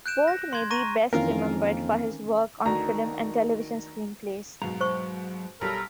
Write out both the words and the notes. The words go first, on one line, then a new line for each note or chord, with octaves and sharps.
Bolt may be best remembered for his work on film and television screenplays.
F#6 G6 D7 E7
A#6
C6 G#6
A#5 C#6 A#6 D#7
F2 D#3 E3 A#3 C4 C#4 F4 A#4
D2 D#3 A#5
G#2 B2 F#3 F5 A#5
C5 C#6
B1 G3 A4 A#4 B5